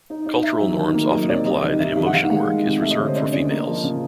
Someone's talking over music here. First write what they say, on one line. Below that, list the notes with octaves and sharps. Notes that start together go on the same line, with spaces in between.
Cultural norms often imply that emotion work is reserved for females.
D#4
D#4
D#4 E5
F#3
D#3
A#3
F#3 D#5
C3 D5
G3 D#5
D#3
D#3 E5
G3 E5
F#5
D#3 F5
G#3
D#3
C3
A3 E5
D#5
D3 C#5
C5
C#4 D5
C#4 D5
A#3 D#5
F3
C#3